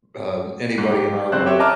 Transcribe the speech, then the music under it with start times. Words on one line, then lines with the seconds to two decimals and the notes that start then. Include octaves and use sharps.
uh, anybody in our little
0.78 G#2
0.92 G4
1.32 F#1 C4 C5 F#6
1.46 G4 C#5 E5
1.59 D#5 E5 A5 A#5 D6 F6